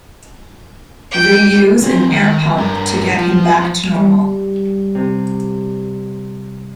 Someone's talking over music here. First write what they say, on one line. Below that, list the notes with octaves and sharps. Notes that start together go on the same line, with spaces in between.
They use an air pump to get him back to normal.
G5
C4 C#5
D#3 G5
G2 A#4
F3
G3
C3